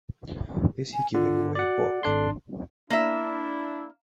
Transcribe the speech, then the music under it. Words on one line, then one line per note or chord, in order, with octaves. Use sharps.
Is he giving away a book?
G#5
D3 F4
F#4 D5 F#5
G#1 D4 A4 C6
A#3 D4 E4 E5